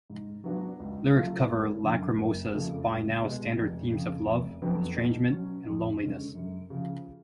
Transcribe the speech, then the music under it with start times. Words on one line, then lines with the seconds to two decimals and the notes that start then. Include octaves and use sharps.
Lyrics cover Lacrimosa's by-now standard themes of love, estrangement and loneliness.
0.10 G#2
0.44 F#3 B3 D4 F#4
0.80 C#2
1.15 C#3 F#3 A3 F4
1.49 G#1
1.83 F#2 D3
2.18 F#1
2.53 F2 C#3 F3 A3
2.88 C#2
3.22 B2 G#3
3.57 F1
3.91 F2 C#3
4.26 F1
4.62 F2 D3 F#3 B3
4.97 B2
5.31 F#3 C#4
5.65 F2
6.01 D3 G#3 C#4
6.35 F#2
6.70 C#3 F3